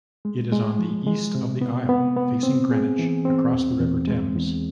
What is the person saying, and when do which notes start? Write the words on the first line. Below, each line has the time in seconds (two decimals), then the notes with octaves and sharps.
It is on the east of the Isle, facing Greenwich across the River Thames.
0.25 G#3
0.52 G#3
0.79 F3
1.07 G#3
1.35 C3
1.61 B3
1.89 B3
2.16 B3
2.43 C4
2.71 G#4
2.99 E3
3.25 C4
3.52 E2
3.80 E2
4.08 G#3
4.35 E2